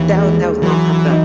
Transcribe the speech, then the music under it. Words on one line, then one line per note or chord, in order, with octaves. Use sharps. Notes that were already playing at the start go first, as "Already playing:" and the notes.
That wa that was a long time ago.
Already playing: D#2 E3 D#4
G#3
E3 F#3
D#4